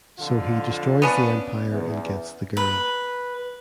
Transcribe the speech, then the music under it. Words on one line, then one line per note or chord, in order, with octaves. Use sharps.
So he destroys the Empire and gets the girl.
F2 D3 F4
B3 C#4 D4
E2
B4